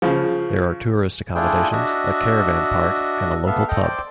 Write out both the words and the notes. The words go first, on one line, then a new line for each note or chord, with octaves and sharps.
There are tourist accommodations, a caravan park, and a local pub.
C#3 F3
A3 D4 E4 F4 G#4 G5
D4 F#4 D#5 E5
A3 B3 E5 F5
A4 D#5 G5
C5 D5 G5 D6